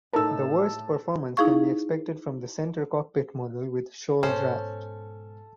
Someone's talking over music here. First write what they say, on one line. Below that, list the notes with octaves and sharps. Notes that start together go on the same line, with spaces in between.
The worst performance can be expected from the center cockpit model with shoal draft.
A2 D#4 A4 A#4 A5 E6
D#4 E4 G#4 F5 C#6
G#2 B2 C#4 A4 C5